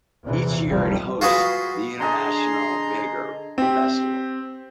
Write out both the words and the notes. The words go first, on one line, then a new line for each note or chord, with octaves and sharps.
Each year it hosts the International Vinegar Festival.
A#1 E2 C3 E3
F1 C#2 D#3 F3 G3
F4 F#4 G#4 B4
D3 G#4 D#5 A#5 C6
C4 G4